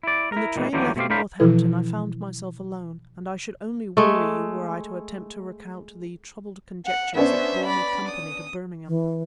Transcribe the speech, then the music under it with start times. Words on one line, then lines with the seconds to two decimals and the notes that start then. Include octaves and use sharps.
When the train left Northampton I found myself alone, and I should only weary you were I to attempt to recount the troubled conjectures that bore me company to Birmingham.
0.03 E4 D5
0.32 E4 A#4
0.56 A#2 D#3 E3 G#3
0.73 D#2 D3 E3 F#3 G3 G4
0.96 B2 A3 C4 G4 F5
1.10 A2 D4 A#4 C5 F5 B5
1.40 B2 E3 F3 E4 A4 B4
3.97 G#3 A3
6.86 F#5
7.15 B3 C#4 D4 C5 E5
7.66 D5 B5
8.08 D#6
8.86 E3